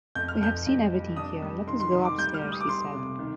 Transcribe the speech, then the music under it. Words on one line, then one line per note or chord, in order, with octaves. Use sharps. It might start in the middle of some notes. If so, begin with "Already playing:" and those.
"We have seen everything here; let us go upstairs," he said.
F2 G6
F6
F2 G6
F2
G3
D4 D#6
G3
D#3 C6
C6
D#3 C6
D6
G3 G6
F6
G3
D#6
D6
G3 C6
C3
D#3